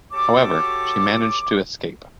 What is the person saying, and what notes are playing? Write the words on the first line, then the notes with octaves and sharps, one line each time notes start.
However, she managed to escape.
F#4 G4 A4 C#5 A5 D6